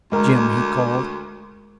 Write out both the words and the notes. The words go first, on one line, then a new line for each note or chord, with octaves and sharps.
Jim!' he called.
D2 G#3 A#4